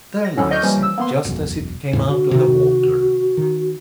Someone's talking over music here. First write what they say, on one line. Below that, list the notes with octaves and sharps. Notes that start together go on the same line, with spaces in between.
There lies it, just as it came out of the water.
A#6
F#3 C#4 E4 A4
D5 D#5 C#6 F6 G6
E3 F3 G3 A#3 C#4
E6
A#3 B3 C6
E1 B1 F#2
G1 E2 A2
D3 F#4
C3 D#3
D#3